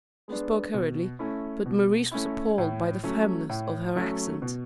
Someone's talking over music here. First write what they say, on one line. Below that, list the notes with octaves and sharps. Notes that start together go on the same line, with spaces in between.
She spoke hurriedly, but Maurice was appalled by the firmness of her accent.
G#3 B3 D4
B2
A3 C#4 E4
B2
A3 C#4 E4
A2
F#3 A3 C#4
A2
F#3 A3 C#4
B2